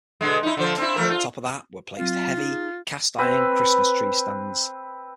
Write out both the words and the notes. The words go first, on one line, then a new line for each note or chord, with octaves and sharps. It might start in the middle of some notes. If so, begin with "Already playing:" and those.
On top of that were placed heavy cast iron Christmas tree stands.
B2 D3 G#3
D#4 E4
D3 F3 C5
C4 D4 E4
F3 A3 A#4
F4
F#3 C4 F4 F5
D#4 G#4
C4 B4